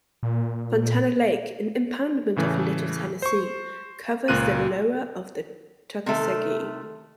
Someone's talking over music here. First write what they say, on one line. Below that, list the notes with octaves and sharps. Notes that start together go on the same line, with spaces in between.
Fontana Lake, an impoundment of the Little Tennessee, covers the lower of the Tuckasegee.
A#2
A2 C#3 E3 A3
C5 C#6
C#2 A#2 F4 A#4 F#6 D#7
C3 D#3 A3